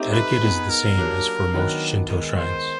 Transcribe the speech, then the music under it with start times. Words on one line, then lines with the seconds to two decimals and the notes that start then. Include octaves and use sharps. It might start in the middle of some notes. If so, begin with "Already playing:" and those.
Etiquette is the same as for most Shinto shrines.
Already playing: A3 C4 D#4 G4
0.13 B4
0.41 B3 D#4 G#4
0.70 A#4
0.97 F#3 A#3 D4 G4
1.53 D#3 F#3 B3 D4
2.09 D#3 G#3 B3 D#4
2.38 C5